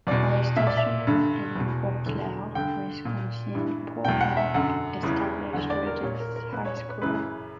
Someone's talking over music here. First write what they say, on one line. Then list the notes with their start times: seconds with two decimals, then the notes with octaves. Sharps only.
While stationed in Eau Claire, Wisconsin, Paul help established Regis High School.
0.07 E2 B2 D5
0.56 A#2 E5
0.67 D5
0.77 E5
1.07 G2 D3
1.56 E2 B2
2.06 E2 D3
2.55 G2 D3 G5
3.05 A#2
3.55 G2 E3
4.05 E2 B2 G5
4.21 F#5
4.37 E5
4.54 F#2 D3 F#5
5.03 E2 C#3 E3
5.53 E2 D3 F#5
5.70 D5
5.86 A#4
6.03 A#2 C#5
6.20 A#4
6.36 A#4
6.53 A#2 B4
6.65 C#5
6.77 C#5
6.89 B4
7.02 F#2 C#3 E3 B4